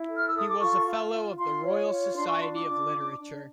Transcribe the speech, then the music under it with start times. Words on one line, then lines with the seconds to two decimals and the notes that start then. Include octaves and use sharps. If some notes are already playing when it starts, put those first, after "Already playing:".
He was a fellow of the Royal Society of Literature.
Already playing: E4
0.08 A4
0.16 F6
0.27 E6
0.34 A4 D#6
0.49 D6
0.60 F4 C#6
0.86 F4
1.12 F4
1.38 F4 C6
1.63 C#5
1.89 F4
2.15 D4 C6
2.28 C#6
2.40 F4 C6
2.54 D6
2.67 D4
2.93 D4
3.19 D4